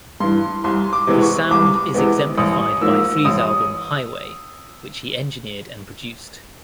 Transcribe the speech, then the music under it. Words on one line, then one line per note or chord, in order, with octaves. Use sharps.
His sound is exemplified by Free's album "Highway", which he engineered and produced.
G2 E3 C6
C2 C6
D6
C3 E3 G#3 B3
C#6
C2 D6
C3 E3 G#3 B3
A1 D#6
G#2 F3 A#3 E6
A1 D#6